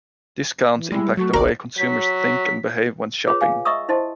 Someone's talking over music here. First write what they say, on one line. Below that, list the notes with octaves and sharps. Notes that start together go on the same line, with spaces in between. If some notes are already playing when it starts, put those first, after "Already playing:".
Discounts impact the way consumers think and behave when shopping.
E3
G3 G#3 E4
F#3 A3 F#4
G1 C2 A#4 D5
F#3 B6
F4 G#4 B4 C#5
G#4 F5 G#5
D#5 E5 A#5 C#6 D#6 E6
E4 C5 D#5 A5 C6